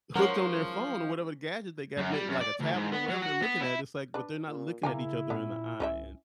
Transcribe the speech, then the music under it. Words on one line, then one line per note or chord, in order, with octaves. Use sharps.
hooked on their phone or whatever gadget they got, l like a tablet or whatever they're looking at, it's like but they're not looking at each other in the eye and,
F3 F#3 G#3 C#4 A#4
F#2
G3
F#2
D5
D2
G#2
B3
F#3
F#4
B3
E4
D4 B4
A#2
C#3 A#3 E4 A#4 G#5
A#2 B3 C#4
C2 C#4 B4 E5